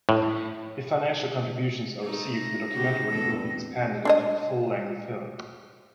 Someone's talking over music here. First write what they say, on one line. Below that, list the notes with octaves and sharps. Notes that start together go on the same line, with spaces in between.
If financial contributions are received, the documentary will be expanded into a full-length film.
A2
A3 D#4
A#6
C#3 F#4 G4
E2 G2 A4
C4
D4 C#5 D#5